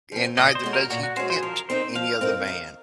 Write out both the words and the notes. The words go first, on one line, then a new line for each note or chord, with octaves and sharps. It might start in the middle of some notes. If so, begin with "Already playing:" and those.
and neither does he tempt any other man.
F3 C4
A#2 D#5
C5
G#3 C#4 F#4
A#4
A#2 F#4
F#4
G#3 C#4 F#4 C5
C5
G#4
F3 A#4
C4 D#4 A#4 C5
F3 F5
C4 D#4 A#4
D#3